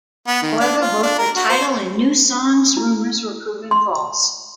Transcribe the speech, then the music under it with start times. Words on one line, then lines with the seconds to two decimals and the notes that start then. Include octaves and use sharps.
However, both the title and new songs rumors were proven false.
0.27 B3
0.42 D#3
0.60 D4
0.81 F4
1.03 D4
1.18 A#4
1.36 F#4
1.49 C5
2.77 E4
3.71 C6